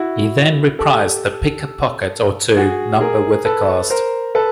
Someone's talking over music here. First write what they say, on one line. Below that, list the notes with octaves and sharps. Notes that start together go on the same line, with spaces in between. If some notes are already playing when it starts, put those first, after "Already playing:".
He then reprised the "Pick a Pocket or Two" number with the cast.
Already playing: E4 F#4
G4 A4
F#4 G#4
G#4 A#4
A4 B4
A#4 C5
A4 B4